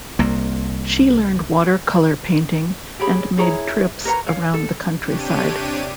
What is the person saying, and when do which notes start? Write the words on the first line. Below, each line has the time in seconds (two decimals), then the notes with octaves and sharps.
She learned water colour painting and made trips around the countryside.
0.19 C2 A#3
3.00 G4 G#4 C#5 B5
3.37 E4 G#4 C#5 A#5
4.05 A#4 B4 C#5 A#5
4.27 C#5 F5
4.54 A4
4.98 C3 D4 G4 C#5 D#7